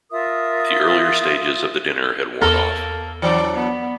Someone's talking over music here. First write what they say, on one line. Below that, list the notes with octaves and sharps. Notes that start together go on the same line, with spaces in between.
The earlier stages of the dinner had worn off.
F4 A#4 E5 D#6
E2 A#3 A4 A#4
E3 F#3 D4 D5
B3